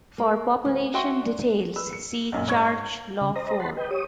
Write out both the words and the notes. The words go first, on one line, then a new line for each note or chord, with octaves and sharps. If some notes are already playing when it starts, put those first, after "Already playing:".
For population details see Church Lawford.
A#3
D2
F#4 E5 G5 C6 C#6
D4
B4 E6
C#7
B1 F#2 A#2
G#2 C#5 C#6 G#6
C#3
C5 D#5 A#5
F#5 A5 B5 C6
B4 D#5 G5
G4 C#5 D#6